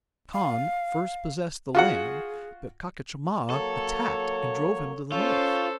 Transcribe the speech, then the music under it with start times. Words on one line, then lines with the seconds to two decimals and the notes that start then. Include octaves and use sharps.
Con first possessed the land, but Pachacama attacked and drove him to the north.
0.34 F5
1.75 F4 F#4 G#4 F#5
3.50 F#3 A#3 A4 C#5
5.12 C#4 F4 A4 C5 C#6 G6